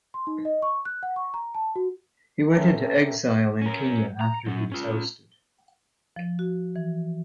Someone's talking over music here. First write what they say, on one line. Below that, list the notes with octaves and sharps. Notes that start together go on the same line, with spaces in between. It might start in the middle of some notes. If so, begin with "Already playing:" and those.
He went into exile in Kenya after he was ousted.
C6
D#4
D#5
C#6
F#6
F#5
C#6
A#5
A5
F#4
C#4 A4 A#4 E5 G5 A#5
C#4 A#4
A#5
F#3 C#4
C#4 F4
F3
F#4
E3